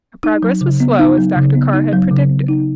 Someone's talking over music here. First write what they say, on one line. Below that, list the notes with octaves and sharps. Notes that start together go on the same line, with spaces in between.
Her progress was slow, as Dr. Carr had predicted.
D#4
F#3
C#3
B3
D#4
F#3
C#3
B3
D#4
F#3
C#3
B3
D#4